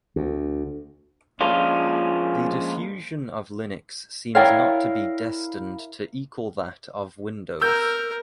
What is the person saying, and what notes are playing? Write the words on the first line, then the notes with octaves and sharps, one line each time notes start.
The diffusion of Linux seems not to be destined to equal that of Windows.
D2
F3 G#3 A#3 C#4 D4 F4
E4 A#4 C#5 D5 F5 G5
A#4 E6 G6